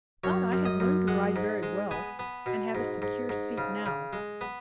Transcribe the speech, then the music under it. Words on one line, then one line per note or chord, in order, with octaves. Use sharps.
But I have learned to ride very well, and have a secure seat now.
F#2 C#5
F#2
D#5
F#2
G#3 F#5
G#2
G#3
B3 G#5
B3
B2
G#2
G#2
G#2
C#3
C#3
G#3
B3